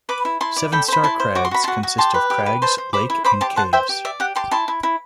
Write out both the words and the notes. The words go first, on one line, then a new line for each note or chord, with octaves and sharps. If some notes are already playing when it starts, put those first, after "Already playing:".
Seven Star Crags consist of crags, lake and caves.
B4 B5 D6
E4
E4 A5 C6
D5
A4 G5 B5
C5 B5
E4 A5 C6
C5
F#4 D6
C6
F#4 B5
F#4 A5 C6
F#4
G4 A5 C6
B4
G4
B4
C5 A5 C6
C5
C5 B5 D6
E4
C5 B5 D6
G4 A5 C6
C5 F#5 A5
C5 E5 G5
G4
D5 E5
G4 F#5
G4 A5 C6
E4 A5 C6
E4
E4